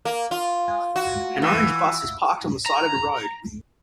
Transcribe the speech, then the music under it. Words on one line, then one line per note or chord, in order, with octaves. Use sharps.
An orange bus is parked on the side of a road.
A#3
F4
F#4
E3
A#5